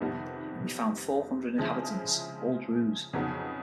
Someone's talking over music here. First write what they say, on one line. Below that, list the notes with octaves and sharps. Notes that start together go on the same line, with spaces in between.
He found four hundred inhabitants, all Druze.
F2 C3 D#3 G3 B3
C#3 F3 G#3 C4 E4
F2 C#3 F#3 B3 D#4